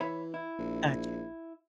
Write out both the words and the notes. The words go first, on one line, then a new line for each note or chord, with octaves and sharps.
Got you.
E3 C#5 E5 B5
E4
A#1